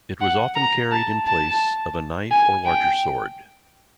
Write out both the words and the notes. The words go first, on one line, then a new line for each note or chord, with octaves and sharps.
It was often carried in place of a knife or larger sword.
F#5
A#5
A5
A5
G#5
G5